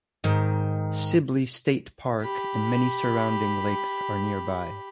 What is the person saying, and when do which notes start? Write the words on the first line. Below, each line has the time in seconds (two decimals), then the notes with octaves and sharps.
Sibley State Park and many surrounding lakes are nearby.
0.24 G#2 D#3
2.22 G4 B5